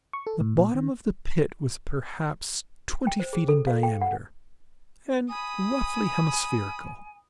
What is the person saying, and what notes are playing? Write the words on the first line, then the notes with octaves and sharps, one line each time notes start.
The bottom of the pit was perhaps twenty feet in diameter, and roughly hemispherical.
C#6
A4
A2
A#2
D#3
G5
C5
G#4
A4
F5
G5
F#5
G#5 B5 D#6